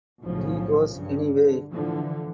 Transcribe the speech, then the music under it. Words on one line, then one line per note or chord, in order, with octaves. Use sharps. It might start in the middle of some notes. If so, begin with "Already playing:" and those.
He goes anyway.
B1 A2 C#3 F3
G2
D3
A2 D3 E3 F3